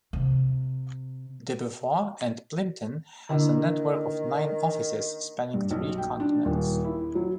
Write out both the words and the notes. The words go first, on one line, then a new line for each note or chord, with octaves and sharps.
Debevoise and Plimpton has a network of nine offices spanning three continents.
C3
D3 D#3 A#3 D4 E4
G2
B1
G5
D4
D#1
E4
F#3